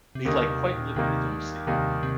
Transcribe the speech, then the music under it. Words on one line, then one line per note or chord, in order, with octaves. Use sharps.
they like quite literally don't see it.
C3
D#2 D3 D#3 G3 A#3 D#4
C3
A#2
D#2 C3 D#3 G3 A#3 D#4
D#2 C3 D#3 G3 A#3 D#4
C3